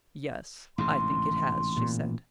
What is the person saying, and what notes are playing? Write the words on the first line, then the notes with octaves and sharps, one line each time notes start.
"Yes, I think it has," she said.
A1 G#2 C3 C6
A#2